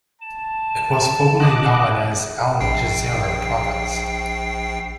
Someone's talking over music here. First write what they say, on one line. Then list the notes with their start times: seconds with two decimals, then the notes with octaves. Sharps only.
It was formerly known as Al-Jazira province.
0.21 A5 E7
1.40 D#5 D6 F#6
2.61 A#1 G5 C7